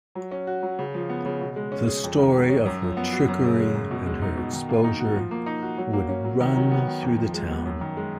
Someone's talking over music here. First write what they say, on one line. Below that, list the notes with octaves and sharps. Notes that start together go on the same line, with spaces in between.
The story of her trickery and her exposure would run through the town.
F#3
C#4
F#4
F#3
C#3
F3
B3
C#3
B2
G#3
C#4
G#4
F2
D#3
G#3
C#4
F#2
F3
B3
F#4
F#2
C#3
G#3
F#2
B2
G#3
D#4
B2
D#3
A#3
D#4
F#4
F3
A#3
D#4
F#4
F#3
A#3
C#4
F#3
D#3
F#3
B3
D#3
F2
F3
G#3
B3
F#2
D#3
G#3